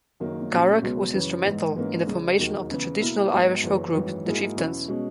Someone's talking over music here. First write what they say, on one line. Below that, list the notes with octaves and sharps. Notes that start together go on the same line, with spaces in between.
Garech was instrumental in the formation of the traditional Irish folk group, The Chieftains.
F#1 F#2 D#3 A#3
A#2 F#3 C#4
C#2 B2 F#3 B3
F#2 C#3 E3
G#2 E3 G#3
G#2 E3 A#3 C#4
C#2 C#3 G#3 C#4
E1 D#2 D#3 F#3 A#3
E2 C#3 E3
B2 A#3 E4 A#4
G#2 F#3 B3
F#1 F#2 E3
G#1 F#2 E3
G#2 F#3 A#3 E4 G#4
E2 B2 F#3 C#4 E4
B2 G#3 C#4